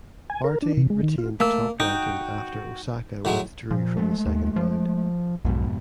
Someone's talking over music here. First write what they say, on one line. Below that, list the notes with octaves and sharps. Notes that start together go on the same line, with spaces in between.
Barty retained the top ranking after Osaka withdrew from the second round.
G#5
A#4
D4
C3
G#3
D#3
F4
A3 A#3 E6
D#4 F#4 G5 D#6
A2 F#3 G#3
A#2 F3
G#3 A3
D#2
F3
B1 F2 G#2 B2